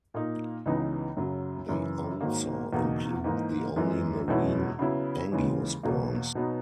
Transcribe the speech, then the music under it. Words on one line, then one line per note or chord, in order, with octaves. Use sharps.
They also include the only marine angiosperms.
A#2 A#3 D#4
C#2 C#3 E3 B3 D#4
F#2 C#3 F#3
F#2 C#3 E3
G#2 D#3 F#3 A#3
E2 B2 A#3 D#4
G#2 E3 A#3 D#4
F#2 E3 G#3
E2 B2 G#3 C#4 E4
C#3 F#3 B3 E4
D#2 C#3 E3 G#3 C#4
E2 B2 F#3 A#3
B2 F#3 B3 D#4